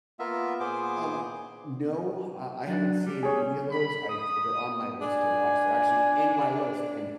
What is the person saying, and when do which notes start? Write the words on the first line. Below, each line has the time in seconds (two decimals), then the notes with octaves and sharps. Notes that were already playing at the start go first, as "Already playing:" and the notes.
Um, no, uh, I haven't seen any of those. I've they're on my list to watch. They're actually in my list, and
0.19 A#3 B3 F4 E5
0.60 A#2 B3 G#4 C5 D6
2.67 F#3 D4
3.06 G3
3.23 G#4 C#5
3.70 B5
4.10 D#6
5.01 D4 G#5